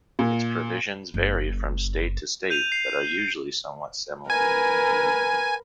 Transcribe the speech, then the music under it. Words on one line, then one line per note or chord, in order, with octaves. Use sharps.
Its provisions vary from state to state but are usually somewhat similar.
A#2
F#1
G6 D#7 F7
C7
A#4 B4 G#5